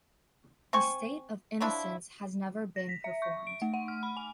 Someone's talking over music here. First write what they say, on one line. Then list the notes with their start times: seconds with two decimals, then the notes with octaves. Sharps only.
"The State of Innocence" has never been performed.
0.73 C4 G#5 C#6
1.60 F3 F#3 D4 E4
2.76 A#6
2.89 B6
3.04 E5
3.22 C#6
3.47 D7
3.62 A3
3.74 F#5
3.88 F6
4.03 B5
4.17 G#5